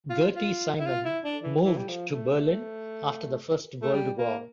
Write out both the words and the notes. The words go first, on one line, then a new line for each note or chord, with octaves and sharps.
Gerty Simon moved to Berlin after the First World War.
F4
F4
E4
F4
E4
D4
E3
E3
G3
F3
A3
A3
G3
A#3